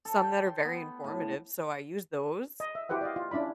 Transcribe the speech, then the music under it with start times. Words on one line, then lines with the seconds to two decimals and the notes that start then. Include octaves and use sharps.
some that are very informative, so I use those.
0.05 A4
0.23 G5
0.46 C6
0.65 B3
1.04 A2
2.60 D#5
2.75 E5
2.89 E4 F#4 G4 B4 C5 F#5
3.01 D5 D#5 F5
3.16 F4
3.31 C#4 D4 E4 D5 B5